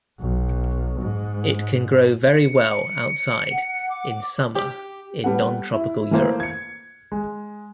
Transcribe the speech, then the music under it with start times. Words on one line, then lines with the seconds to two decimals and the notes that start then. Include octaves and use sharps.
It can grow very well outside in summer in nontropical Europe.
0.19 B1
1.01 G#2
2.32 C#7
3.52 F#5
3.90 D6
4.55 G4
5.24 G3 B3 A4 F#5
5.74 E4
6.11 E3 A3 A#3 C5
6.40 G#6 C#7
7.12 G#3